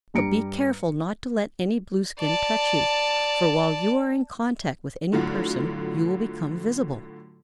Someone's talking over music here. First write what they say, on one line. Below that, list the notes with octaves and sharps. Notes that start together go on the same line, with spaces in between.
But be careful not to let any Blueskin touch you, for while you are in contact with any person you will become visible.
G2 G3 A#5 C#7 D7
D5 A5
A2 D3 F#3 F4 F#4